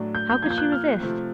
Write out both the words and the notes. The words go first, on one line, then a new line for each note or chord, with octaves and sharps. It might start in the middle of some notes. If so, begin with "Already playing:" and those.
How could she resist.
Already playing: A2 F#3 A3 D4
G6
G6
A#2 F3 A#3 G#6
G6
F#6
F6
C3 F3 A3 C4